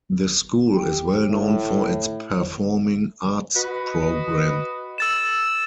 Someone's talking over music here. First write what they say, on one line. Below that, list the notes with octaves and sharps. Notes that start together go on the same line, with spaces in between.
The school is well known for its performing arts program.
G4
A2
F#4 B4 D#5
E6 A6 E7